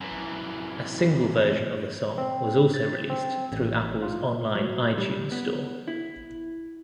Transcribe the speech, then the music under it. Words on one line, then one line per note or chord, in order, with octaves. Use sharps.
A single version of the song was also released through Apple's online iTunes Store.
F#2 E3
C4
A6
C4
A1
F4
F#3
G3
B3
E4